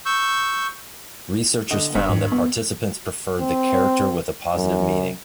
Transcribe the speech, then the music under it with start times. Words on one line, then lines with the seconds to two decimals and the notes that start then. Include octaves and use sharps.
Researchers found that participants preferred the character with a positive meaning.
0.06 C#6 E6 G6
1.71 D3 D#5
1.95 F#1 G2
2.09 G#2
2.32 B3
3.40 C4
4.54 F#2